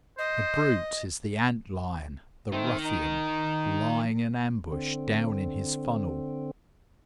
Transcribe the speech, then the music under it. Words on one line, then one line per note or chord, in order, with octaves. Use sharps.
The brute is the Ant-lion, the ruffian, lying in ambush down in his funnel.
C5 D#5
D#3 A3 C4
D#4
D3 C4